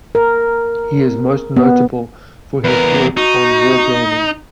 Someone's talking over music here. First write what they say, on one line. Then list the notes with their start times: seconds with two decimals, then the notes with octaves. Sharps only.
He is most notable for his work on wargaming.
0.15 A#4
1.57 B3
2.64 E2 A#4 B4
3.17 D#4 F#4